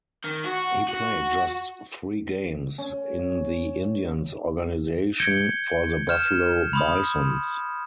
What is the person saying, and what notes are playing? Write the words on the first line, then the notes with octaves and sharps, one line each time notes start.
He played just three games in the Indians organization for the Buffalo Bisons.
D#3
F#4
F#4
C#4
G6 G#6 C#7 D7 G7
F6 G6 E7
B5 C6 D#6